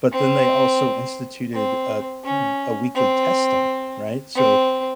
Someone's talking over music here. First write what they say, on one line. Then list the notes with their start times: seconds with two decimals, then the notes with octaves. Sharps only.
but then they also instituted a m a weekly testing, right? So,
0.12 C4
1.54 C4
2.25 C#4
2.95 C4
4.35 C4